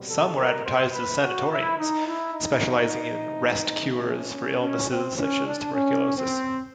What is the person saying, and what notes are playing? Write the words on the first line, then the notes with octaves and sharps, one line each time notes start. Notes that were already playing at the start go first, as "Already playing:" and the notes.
Some were advertised as sanatoriums, specializing in rest cures for illnesses such as tuberculosis.
Already playing: B2 G3 C4
A4
A#4
C5
B4
F#4
E4
D#4
E4
D#4
E3 A3 C4
C#4
C#4
C#4
C4
C#4
D4
C#4
C4